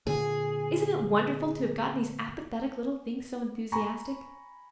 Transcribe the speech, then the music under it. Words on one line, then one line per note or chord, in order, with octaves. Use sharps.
Isn't it wonderful to have got these apathetic little things so enthusiastic?
A#2 D3 G#4
G#5 A#5 B5 C#6